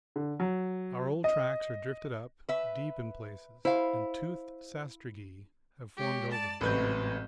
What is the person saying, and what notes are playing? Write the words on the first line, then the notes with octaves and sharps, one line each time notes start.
Our old tracks are drifted up, deep in places, and toothed sastrugi have formed over them.
D3
F#3
D#5
B4 E5
E4 C5 F5
G#3 G4 C#5
D5 A5
A1 G#2 C3 F#3 B4 G6